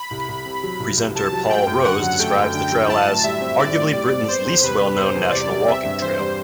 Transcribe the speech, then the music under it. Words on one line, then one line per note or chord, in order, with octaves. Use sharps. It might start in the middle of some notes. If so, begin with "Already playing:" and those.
Presenter Paul Rose describes the trail as "arguably Britain's least well-known national walking trail".
Already playing: B5
C2
C2
C3
F#3
C2
C2
C3 A5
F#3
A3 G5
F#2
D3 F#5
F#3
A3 G5
F#2
D3 G5
F#3
E4 A5
A2
G3 E5
C4
E4 D5
A2
G3
C4
B3 C5
E2
C3 B4
G3
B3 C5
E2
C3 D5
G3
C4 E5
G2
E3 C5
G3